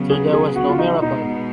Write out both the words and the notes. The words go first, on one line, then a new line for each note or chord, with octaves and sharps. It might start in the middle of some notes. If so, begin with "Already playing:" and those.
So there was no miracle?
Already playing: C#3 F#3 B3
G#4
G#4
F#4
F4
D#4
B2 G#3 B3 D#4